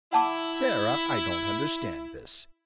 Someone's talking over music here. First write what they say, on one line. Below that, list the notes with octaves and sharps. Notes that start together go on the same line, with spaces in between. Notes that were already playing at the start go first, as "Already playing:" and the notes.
Sarah, I don't understand this.
E4 F#5 A5 D6